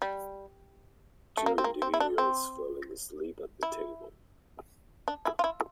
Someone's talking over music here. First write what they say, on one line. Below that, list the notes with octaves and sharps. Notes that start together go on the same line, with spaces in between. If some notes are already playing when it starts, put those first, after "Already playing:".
Two individuals falling asleep at the table.
G3
A3
A#3
C4
A#3
C4
E4
D4
C4
E4
D4
E4
F4
E4